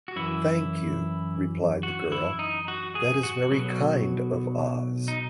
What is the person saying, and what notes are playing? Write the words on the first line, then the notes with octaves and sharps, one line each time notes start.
"Thank you," replied the girl; "that is very kind of Oz."
F#4
F#2 E3 E4
F#4
E4
D#4
F#4
G#4
F#4
B1 B2 F#3
D#4